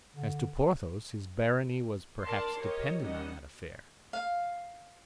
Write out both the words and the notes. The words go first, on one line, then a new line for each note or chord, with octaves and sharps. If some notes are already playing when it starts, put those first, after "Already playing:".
As to Porthos, his barony was perhaps dependent on that affair.
D3
D4 A#4 D5 A5 C6
G4 A#4 C#5 D#5
D#3 G3 C#4 D#5 F#5
F5